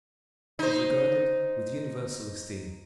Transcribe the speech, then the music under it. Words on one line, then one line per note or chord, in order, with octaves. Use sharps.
"Is regarded with universal esteem."
D#4 C5